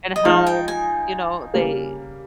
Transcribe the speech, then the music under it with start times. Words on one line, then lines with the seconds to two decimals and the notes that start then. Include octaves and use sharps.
and how, you know, they
0.16 D#5
0.25 F3 G#3 D#4 F5
0.47 G5
0.68 G#5
1.54 C#3 G3 A#3